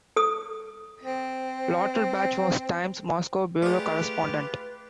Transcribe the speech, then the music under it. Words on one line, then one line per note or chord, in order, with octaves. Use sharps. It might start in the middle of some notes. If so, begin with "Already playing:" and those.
Lauterbach was "Time's" Moscow bureau correspondent.
A4 D#6
C4
A3 F4 G4 G#4 B4 D5